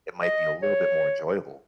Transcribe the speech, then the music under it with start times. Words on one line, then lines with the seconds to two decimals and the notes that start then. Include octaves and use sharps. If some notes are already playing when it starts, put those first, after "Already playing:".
It might be a little bit more enjoyable."
0.22 D#5
0.62 C#5